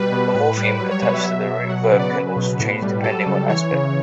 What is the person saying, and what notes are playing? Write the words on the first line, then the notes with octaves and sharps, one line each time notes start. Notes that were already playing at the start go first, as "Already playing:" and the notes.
The morpheme attached to the root verb can also change depending on aspect.
Already playing: B2 G3 B4
B2
A2
G3
F#3 B4
C#5
B2 B4
E5
F#3 E5
B2
F#3 F#5
B4
C#3
D5
F#3 B4
B2
A2
G3
F#3 A4
C#3
E3 C#5
C#3